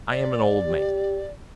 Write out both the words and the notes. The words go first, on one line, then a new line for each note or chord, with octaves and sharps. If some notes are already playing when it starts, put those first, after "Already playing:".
I am an old man.
D5
G4